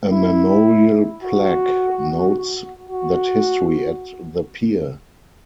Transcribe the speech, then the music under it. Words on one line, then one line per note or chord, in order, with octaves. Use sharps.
A memorial plaque notes that history at the pier.
E4
F#4
F#4